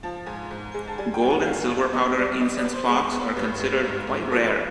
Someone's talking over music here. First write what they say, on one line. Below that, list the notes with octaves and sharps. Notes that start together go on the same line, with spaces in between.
Gold and silver powder incense clocks are considered quite rare.
F3 A5
G#2 G#5
G#2
G#3
A5
G3 G#5
G5
G2
F#5
G3 F5
G2
B3 D#5
G3 D5
B3 D#5
D5
B3
C5
G#3
B3
G2 B4
G2
G#2
G#2
F3 A4
B4